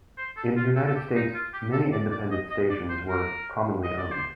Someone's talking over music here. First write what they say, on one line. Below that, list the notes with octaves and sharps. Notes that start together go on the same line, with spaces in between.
In the United States, many independent stations were commonly owned.
C5
A4
F4
A4
A4
G4
D#4
F4
G4
A4
D5
D5
D#5
D#5
D5
C5
A#4
D#5
D5
C5